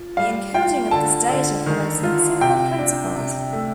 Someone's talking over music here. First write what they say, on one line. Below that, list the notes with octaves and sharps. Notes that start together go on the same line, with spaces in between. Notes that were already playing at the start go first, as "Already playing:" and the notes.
The encoding of this data follows some simple principles.
Already playing: F4
G3 F5
F4 G5
D3 A5
D3
D#3
F4
C3 G5
D4
C3
A3